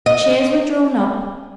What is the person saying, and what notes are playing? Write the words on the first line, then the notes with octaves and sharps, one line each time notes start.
Chairs were drawn up.
D#5